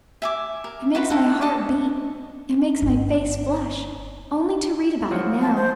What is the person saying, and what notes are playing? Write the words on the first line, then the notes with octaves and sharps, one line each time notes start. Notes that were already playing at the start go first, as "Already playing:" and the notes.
It makes my heart beat, it makes my face flush, only to read about it now!
E5 G#5 D6
A#4
F4 F#4 A#4 B4
D#4 E4 A4 F#5
A4 D#5 D6
G1
F3 F#3 F#4
A5
C5